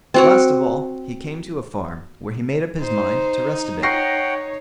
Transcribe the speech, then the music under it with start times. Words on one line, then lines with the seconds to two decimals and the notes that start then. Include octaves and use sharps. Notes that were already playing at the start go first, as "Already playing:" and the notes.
Last of all, he came to a farm, where he made up his mind to rest a bit.
0.14 C4 F#4 C#5
2.80 D#4 C5
3.83 C#5 F#5 G5 C#6 A#6 C7